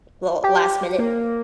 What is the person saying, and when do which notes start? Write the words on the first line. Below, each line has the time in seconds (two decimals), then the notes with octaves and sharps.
Well, last minute.
0.43 G4
0.98 A#3